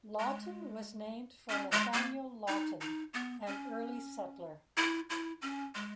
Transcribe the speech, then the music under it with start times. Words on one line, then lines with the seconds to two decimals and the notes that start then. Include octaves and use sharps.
Lawton was named for Nathaniel Lawton, an early settler.
0.20 G#3
1.49 C#4
1.71 G#3
1.93 A#3
2.48 D#4
2.81 D#4
3.14 B3
3.47 C#4
4.77 E4
5.10 E4
5.42 C#4
5.75 G#3